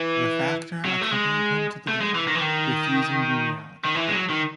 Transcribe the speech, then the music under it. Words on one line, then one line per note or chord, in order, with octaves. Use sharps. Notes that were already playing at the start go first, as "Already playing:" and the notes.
The factor accompanied him to the door, diffusing geniality.
Already playing: E3
F#3
A3
G#3
A3
G#3
E3
D#3
E3
D#3
D#3
E3
G#3
F#3
D#3